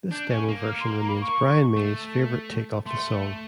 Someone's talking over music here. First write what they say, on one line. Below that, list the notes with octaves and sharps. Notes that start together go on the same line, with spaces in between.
This demo version remains Brian May's favourite take of the song.
D4 G6
C#4
A#3
F6
C6
A#5
B5
C#6
A3
A3 C6